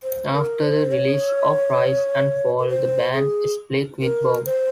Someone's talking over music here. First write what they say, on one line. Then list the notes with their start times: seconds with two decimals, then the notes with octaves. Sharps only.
After the release of "Rise and Fall" the band split with Bomp!
0.03 C5
0.33 A#4
0.63 C5
0.92 C#5
2.59 A#4
2.69 C5
3.13 G#4
4.02 A#4
4.46 C5